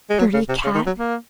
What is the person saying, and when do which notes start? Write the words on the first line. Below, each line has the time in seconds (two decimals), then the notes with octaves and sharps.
'Dirty cat!
0.10 G#3
0.19 F#3
0.34 C#3
0.49 C3
0.64 C#3
0.75 D#3
0.87 F#3
0.98 A#3